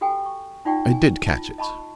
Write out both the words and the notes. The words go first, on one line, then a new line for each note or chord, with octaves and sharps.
I did catch it.
F#4 G4 A4 G5 G#5
C#6
D#4 F4 D5 F#5 G5 C#6
G#5
F4 A5
D#5 A5 B5 C#6